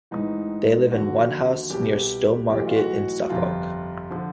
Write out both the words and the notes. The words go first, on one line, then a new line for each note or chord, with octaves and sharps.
They live in Onehouse near Stowmarket in Suffolk.
A1 G#2 E3 D#4
D#2 D3 F3 F#4
C2 B2 G4
B1 A2 E3 G4
F#4
F4
F#4
G1 F2 C3 F4
D3 F3